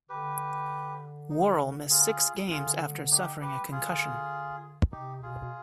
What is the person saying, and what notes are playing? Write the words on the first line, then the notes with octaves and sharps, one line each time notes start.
Worrell missed six games after suffering a concussion.
D3 G4 B4
D#4
F4 G#4
D3 F4 G#4
D#4 G4
G4 B4
D3 F4 G#4
C3 D#4 G4
B2 F4 G#4
B2